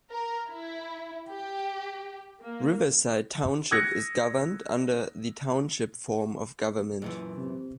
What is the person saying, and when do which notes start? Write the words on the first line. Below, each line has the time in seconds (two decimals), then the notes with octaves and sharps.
Riverside Township is governed under the Township form of government.
0.11 A#4
0.51 E4
1.29 G4
2.42 A#3
3.71 D#6 E6 F#6 G#6 A#6 C#7
7.02 F#2 A#2 E3
7.37 C3